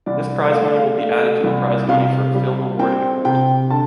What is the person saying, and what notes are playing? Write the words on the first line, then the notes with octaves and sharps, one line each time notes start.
This prize money will be added to the prize money for a film award in gold.
C2 D5
A3 F5
D5
F5
A3 F5
C2
C3 F5
G3
C4 G5
C3 G5
D3 A5